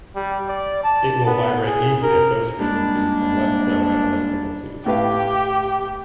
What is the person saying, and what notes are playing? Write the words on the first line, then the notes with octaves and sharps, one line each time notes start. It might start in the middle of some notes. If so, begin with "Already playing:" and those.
It will vibrate easily at those frequencies, and less so at other frequencies.
G3
D5
A5
B3
G#4
A#4
G3 G#3 A#3 D4
A2 G4 B4 F5